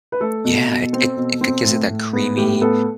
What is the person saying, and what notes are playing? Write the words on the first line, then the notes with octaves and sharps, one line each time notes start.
Yeah, it it it it gives it that creamy,
B4
A3 A4
B2
B2
C4
B2
C4
A2
A2
B3
A2 G4
B3 A4